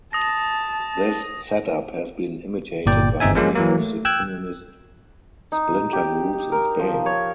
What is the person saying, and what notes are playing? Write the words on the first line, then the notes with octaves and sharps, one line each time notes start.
This set-up has been imitated by many of the communist splinter groups in Spain.
A5 D#6 A#6
G1 A#2 D5 G5
G1 C4 D#4 E5 G#5
F3 G#3 A#3 C#4
E3 F#3 A#3
A3
G5 E6 F#6 G#6
D#4
G4
A#4
F3
C#5